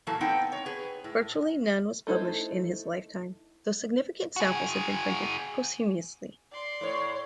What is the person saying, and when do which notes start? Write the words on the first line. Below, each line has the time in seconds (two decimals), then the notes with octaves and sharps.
Virtually none was published in his lifetime, though significant samples have been printed posthumously.
0.07 A#2 E3 F#3 A#3 A4 A5
0.21 B3 C4 D#4 F#5 G5
0.52 C#5
0.66 G#4 B4
1.04 A2
2.07 A3 D#4 E4 C5
4.36 F#4 G#4
6.51 D5 C6
6.81 A2 C#5